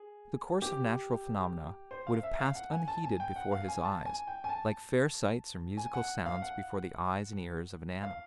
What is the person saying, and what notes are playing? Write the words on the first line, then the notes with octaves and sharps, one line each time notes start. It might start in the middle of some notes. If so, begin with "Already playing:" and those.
The course of natural phenomena would have passed unheeded before his eyes, like fair sights or musical sounds before the eyes and ears of an animal.
Already playing: G#4
G4
C5
F5
E5
F5
F#5
G#5
A5
G#5
G5
F#5
F5
G#5
A5
G#5
G5
G#5
A5
G#5
F#5
F5
F#5
F5